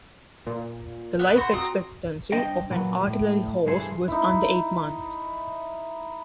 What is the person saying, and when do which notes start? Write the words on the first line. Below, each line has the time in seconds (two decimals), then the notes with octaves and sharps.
The life expectancy of an artillery horse was under eight months.
0.47 A#2
1.19 B3 E6
1.36 F#4 C5 B5
1.53 C4 F#4 A#5 D#6
2.32 G3 D4 C5 D#5 G5
2.70 A#2 E3 F#3
3.01 A2
3.66 C2 G2 E3 G#4 A4 C5
4.08 D#4 E4